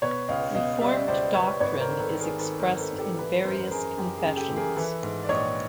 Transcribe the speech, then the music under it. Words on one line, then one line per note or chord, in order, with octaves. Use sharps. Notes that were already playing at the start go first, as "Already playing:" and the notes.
Reformed doctrine is expressed in various confessions.
B2 B4 C#5
C#2 D#5 F5
B2 D#5 F5
G3 D5 E5
C#2 C5 D5
C#2 B4 C#5
G#1 B4 C#5
A#4 C5
D#3
A4 B4
D#3
G#4 A#4
D#3 A4 B4
A#4 C5
G#1
A4 B4
G#1
G4 A4
E3 A4 B4
F#2 A#4 C5
B4
F#2 G#4 A#4
F#2 G4
G#4
C#3
G4 A4
E3
G#4 A#4
E3 A4 B4
G#2
D5
A#1 C#5 D#5